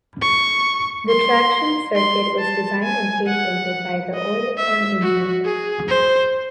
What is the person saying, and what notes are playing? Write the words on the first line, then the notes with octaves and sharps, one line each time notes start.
The traction circuit was designed and patented by the Oerlikon engineers.
C#6
C6
C6
A5
G#5
F#5
D#5
E5
F#4
G#4
C5